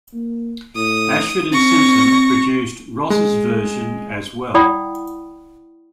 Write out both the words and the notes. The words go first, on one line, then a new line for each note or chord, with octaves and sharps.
Ashford and Simpson produced Ross' version as well.
A#3
A2 D#6
C4 C#6 A#6
G#3
E4 D5 F#5 G5 B5 D#6